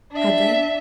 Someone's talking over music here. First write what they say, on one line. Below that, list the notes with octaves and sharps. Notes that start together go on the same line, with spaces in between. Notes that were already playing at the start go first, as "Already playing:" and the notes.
Had they?
D4 E5